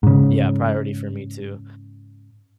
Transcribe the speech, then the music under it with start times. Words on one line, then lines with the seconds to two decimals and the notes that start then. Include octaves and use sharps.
Yeah. Priority for me too,
0.03 G#2 C#3